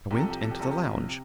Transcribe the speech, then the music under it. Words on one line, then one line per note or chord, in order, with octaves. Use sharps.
I went into the lounge.
C2 C3 F3 G4
A4
G4
A4
G4
C2 C3 F3 A4
G4
C3